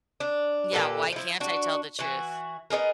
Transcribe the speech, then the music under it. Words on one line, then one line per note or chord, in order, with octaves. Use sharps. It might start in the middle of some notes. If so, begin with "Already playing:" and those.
Yeah, why can't I tell the truth?
D4
A#2 G4 A4 B4
F3 E4
D4 F#4
E3 F#4
B3 D#4 G#4 A#4